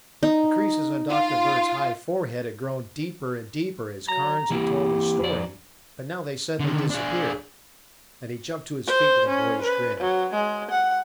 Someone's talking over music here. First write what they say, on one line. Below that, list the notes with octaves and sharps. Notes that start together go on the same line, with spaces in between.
The creases on Dr. Bird's high forehead had grown deeper and deeper as Carnes had told his story, but now they suddenly disappeared, and he jumped to his feet with a boyish grin.
D#4
F4
F#3 A#5
E3 A#3 E4 G4
F2 D5
D3 D#3
D4 G#4
C5
C#4
B4
F#3
G#3
F#5